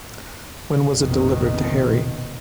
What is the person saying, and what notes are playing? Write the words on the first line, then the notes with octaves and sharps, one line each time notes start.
When was it delivered to Harry?
F1 A#1 F2 B2 D#3